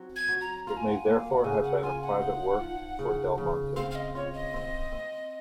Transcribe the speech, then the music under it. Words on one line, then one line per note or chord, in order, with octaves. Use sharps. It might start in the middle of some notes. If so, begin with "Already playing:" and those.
It may therefore have been a private work for Del Monte.
Already playing: F#3 C4
G#6
F#3
A#5
F4 A#5
G#5
F#5
G#5
A#3
F5
F#5
C#3 G#5
F#5
F4 G#5
F#5
D#4
F3
C#3
C#3
C4 F5
F5
D#5
F4 C#5
D#5
C4
C4